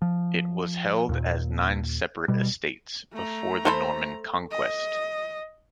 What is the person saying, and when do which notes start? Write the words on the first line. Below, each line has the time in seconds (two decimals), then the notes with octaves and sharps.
It was held as nine separate estates before the Norman Conquest.
0.02 F3
1.09 D#2 A#2
2.28 B2 G3
3.12 A3 A#5
3.65 A4 C5 B5
4.51 D#5